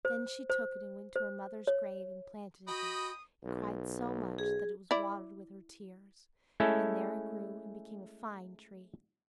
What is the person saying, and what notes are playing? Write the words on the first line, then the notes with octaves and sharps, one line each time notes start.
Then she took it and went to her mother's grave and planted it there, and cried so much that it was watered with her tears; and there it grew and became a fine tree.
C5
C5
C5
C#5
F#4 D#5 G5 B5 D#6
B1
G#4
E4 D5
G#3 A3 C#4 E4 A4